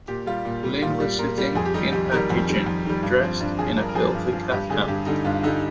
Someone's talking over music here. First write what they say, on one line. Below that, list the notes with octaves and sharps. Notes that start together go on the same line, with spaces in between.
Lynne was sitting in her kitchen, dressed in a filthy kaftan.
A#2 G4
G3 F4
A#2
G3
A#2 F4
G3
A#2 A#4
G3
F2 G#4
G4
D#3 G3 D#4
F2 G4
D#3 G3 A#4
F2
D#3 G3
F2
D#3 G3
G2
F3 C4
G2 D4
F3 G#4
G2 A#4
A#4
F3 G#4
G2
F3
G2 G4
D3 G3 G#4
G2 G4
D3 G3 D#4
G2 F4
D3 G3 D#4